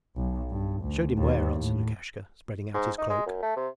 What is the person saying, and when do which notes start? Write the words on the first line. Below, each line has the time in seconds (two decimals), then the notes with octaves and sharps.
'Showed him where,' answered Lukashka, spreading out his cloak.
0.17 B1
0.50 G2
0.82 D2
1.18 D#2
1.59 A2
2.74 G#2
2.98 D#4
3.09 G#3
3.26 F#2
3.42 A3
3.56 C3